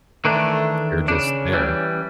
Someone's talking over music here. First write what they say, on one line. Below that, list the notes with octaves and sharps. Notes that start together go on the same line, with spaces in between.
They're just there.
D#3 E3 A3 D4
C#3 C#4 D4
E3 G3